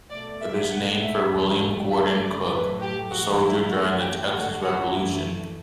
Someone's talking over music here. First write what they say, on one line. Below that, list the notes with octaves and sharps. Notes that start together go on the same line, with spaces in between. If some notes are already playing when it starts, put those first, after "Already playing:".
It is named for William Gordon Cooke, a soldier during the Texas Revolution.
B2 A3 D5
E5
B2 A3 F#5
E5
E2 B2 A3
F#2 C#3 F#3 A3 E5
D5
A2 F#3 A3 B4
G4
A2 E3 A3 F#4
E4
F#2 E3 A3 F#4
G4
G2 D3 F#3 A3 F#4
F#4
F#2 E3 A3 E4